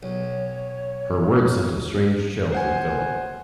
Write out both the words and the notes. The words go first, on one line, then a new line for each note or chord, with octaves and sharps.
Her words sent a strange chill through Philip.
B1 C#5
C5 F#5 G#5